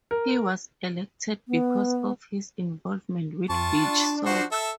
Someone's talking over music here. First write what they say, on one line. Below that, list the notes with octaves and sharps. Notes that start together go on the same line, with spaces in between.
He was elected because of his involvement with beach soccer.
A#4
B3
F2 F4 A5 C#6
D4
F3 F#4 C5
A4 E5